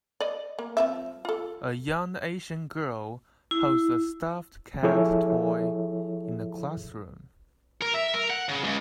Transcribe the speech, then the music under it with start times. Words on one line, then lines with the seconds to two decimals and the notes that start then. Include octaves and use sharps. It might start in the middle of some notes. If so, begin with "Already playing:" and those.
A young Asian girl holds a stuffed cat toy in a classroom.
0.20 D5 D#5
0.59 A#3
0.77 F3 C4 E5
1.25 F4 A4
3.51 E4
4.83 F3 E4 G#4 A4 C#5 E5
7.81 A#4
7.94 E5
8.14 A#4
8.30 F#5
8.48 C#3
8.64 C#2